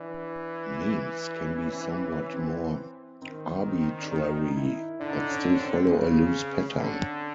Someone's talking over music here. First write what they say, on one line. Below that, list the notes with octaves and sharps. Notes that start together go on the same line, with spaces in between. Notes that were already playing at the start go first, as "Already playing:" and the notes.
Names can be somewhat more arbitrary, but still follow a loose pattern.
Already playing: E3 D4
C#4
C4
C#4
C4
D#3 C4
C4
D4
D#4
E4
D3 D4
D#4
D4
C#4
C#4
C4
C#3
D3 C#4